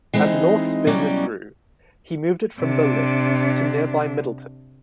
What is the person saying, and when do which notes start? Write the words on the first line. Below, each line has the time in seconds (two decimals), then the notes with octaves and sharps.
As North's business grew, he moved it from Berlin to nearby Middletown.
0.14 E3 G#3 C4 D#4
0.87 B2 E3 F#3 G3 C#4 D5
2.60 C3 D4